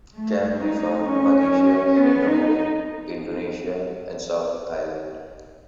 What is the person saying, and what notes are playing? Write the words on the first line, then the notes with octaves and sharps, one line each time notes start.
It can be found in Malaysia, Singapore, Indonesia and Southern Thailand.
A3
D#4
C#4
C#4
C#4
B3
D#4